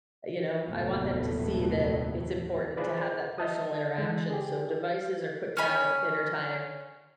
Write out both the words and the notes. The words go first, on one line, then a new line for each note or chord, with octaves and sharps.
you know? I want them to see that it's important to have that personal interaction, so devices are put down at dinner time.
F1 D#2 A2 F#3 A3 B3
F4 G#4 B4 C5 D5
D#5 E5 A5 D#6
E3 G#3
G4 G#4
C#4 C#5 G#5 B5